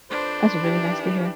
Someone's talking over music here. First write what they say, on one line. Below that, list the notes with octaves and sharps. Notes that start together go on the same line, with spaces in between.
That's really nice to hear,
F2 D4 B4 C5
D#3 E3 G4